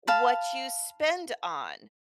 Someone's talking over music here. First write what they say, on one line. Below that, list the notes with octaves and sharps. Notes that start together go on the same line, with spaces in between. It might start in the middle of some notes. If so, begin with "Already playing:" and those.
what you spend on,
F5 A5 B5